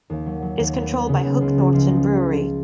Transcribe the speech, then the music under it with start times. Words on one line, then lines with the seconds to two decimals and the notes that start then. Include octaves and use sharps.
It is controlled by the Hook Norton Brewery.
0.10 D#2
0.26 F#3
0.42 F#3
0.59 D#2
0.75 B3
0.91 B3
1.09 C#3
1.25 B3
1.41 C#2
1.57 F3
1.73 C#2
1.90 F3